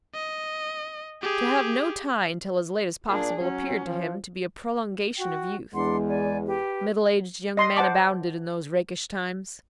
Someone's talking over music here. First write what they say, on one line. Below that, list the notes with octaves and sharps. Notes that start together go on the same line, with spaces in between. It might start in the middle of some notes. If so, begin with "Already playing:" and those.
To have no tie until as late as possible appeared to him to be a prolongation of youth. Middle-aged young men abounded in those rakish times.
D#5
G4 G#4
A#2 D4 G#4
F#3 C#4
F3
F#4 G5
E2 G#3 D4 F#5 C6
D5 G#5
G4 B4
D#5 C6 D#6
C5 F#5 A5 D6